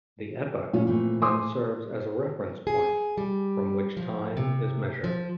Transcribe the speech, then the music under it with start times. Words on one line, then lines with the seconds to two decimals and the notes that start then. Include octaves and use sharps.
The "epoch" then serves as a reference point from which time is measured.
0.73 A#2 A3 C#4
0.87 E3 A3 C4
1.22 G#5 C6 D6 D#6
2.67 G#4
3.17 G3
3.97 F3
4.37 C3
5.04 F3